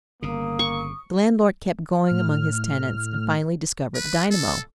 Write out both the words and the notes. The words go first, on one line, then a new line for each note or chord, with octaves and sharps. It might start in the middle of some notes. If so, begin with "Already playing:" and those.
The landlord kept going among his tenants and finally discovered the dynamo.
G1 C#3 A#3 D#6
C#6
A2 F6
B4
A4